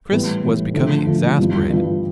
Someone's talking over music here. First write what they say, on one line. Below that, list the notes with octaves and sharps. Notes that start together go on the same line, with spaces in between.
Chris was becoming exasperated.
A2 E3 G3 B3
A2 E3 G3 B3
D3 F3 A3
D3 F3 A3
G2 E3 G3 B3 F4
G2 E3 G3 B3 F4